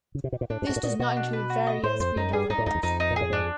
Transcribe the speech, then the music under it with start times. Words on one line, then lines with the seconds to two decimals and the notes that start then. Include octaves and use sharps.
This does not include various free downloads.
0.15 C#3
0.24 C3
0.32 B2
0.41 A#2
0.50 A2 D4
0.62 G2
0.67 G#2 F#4
0.76 A2
0.83 A#2 D#5
0.99 B2 F#4
1.17 D4
1.33 B4
1.50 F#4
1.67 D#5
1.83 A2 C5
2.00 F2 C5
2.16 F#2 D#4
2.33 G2 G#4
2.50 G#2 D#4
2.58 A2
2.66 F2 D#4
2.75 E2
2.83 F2 D#4
3.00 D#4
3.11 A#2
3.16 A2 G#4
3.30 G#2 D4